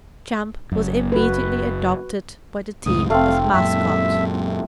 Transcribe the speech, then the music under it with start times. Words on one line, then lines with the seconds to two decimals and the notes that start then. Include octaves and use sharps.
Champ was immediately adopted by the team as mascot.
0.72 F#1 F#2
1.12 F#4 B4
2.86 C#2 F#2 A2 D#6
3.10 F1 A3 C4 F5
3.54 F#2 A#2 E5